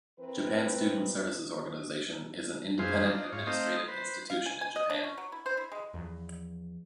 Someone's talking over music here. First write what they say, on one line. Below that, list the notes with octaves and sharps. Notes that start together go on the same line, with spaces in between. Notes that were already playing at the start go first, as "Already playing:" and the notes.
Japan Student Services Organization is an independent administrative institution in Japan.
E3 C4 A#4 B4
F#2 E3 F4 G#4 C5
D4 D#4 F4
G#2 F4 C#5
A3 C4 D#4 C5 D#5 F5
B4 C5
F5
G#5
G#5
D#5
D4
C#4
F#3
E4
C5
E4
G#3
E2 F3